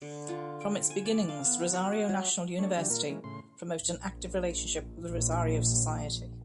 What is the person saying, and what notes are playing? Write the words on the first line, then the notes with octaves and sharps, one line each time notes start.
From its beginnings Rosario National University promoted an active relationship with Rosario society.
D3
F4
G5
G#5
D5
F5
B3
F#4
D#5
F#3
A3 D4 C#5
D3 F3 F#3 D4 G4
A#2 A#3 F4 A#4
E3 G#3 A#3 C#4
A2 C#3 C6
A#1
A#1